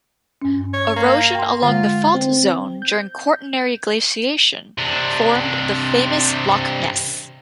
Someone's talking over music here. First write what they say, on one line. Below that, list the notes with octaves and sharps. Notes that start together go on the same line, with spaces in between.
Erosion along the fault zone during Quaternary glaciation formed the famous Loch Ness.
G2 C#4
C#5
A#3
G5 C6
D3 G#3 F4
C4
G6
C3 D4